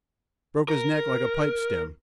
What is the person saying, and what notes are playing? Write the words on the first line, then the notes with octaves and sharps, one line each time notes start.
Broke his neck like a pipe-stem.
A#4